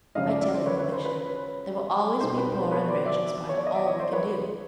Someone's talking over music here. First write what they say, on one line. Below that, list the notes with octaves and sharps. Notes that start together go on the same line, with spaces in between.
I tell you, Felicia, there will always be poor and rich in spite of all we can do.
F#2 C#3 F3 G#3 D#5 F5
D5 E5
D5 E5
C5 D5
B4 C#5
B4 C#5
C5
B4
B2 G3 C4 C5
B4
C5
B4 C#5
C5 D5
D5 E5
C#5
D5
D#5
D5 E5
C#5 D#5
C5 D5
B4 C#5